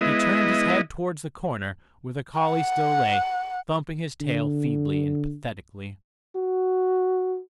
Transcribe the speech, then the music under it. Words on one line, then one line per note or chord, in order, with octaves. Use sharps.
He turned his head towards the corner where the collie still lay, thumping his tail feebly and pathetically.
G#3 B3 E4 D#5
F#5
D3
F#4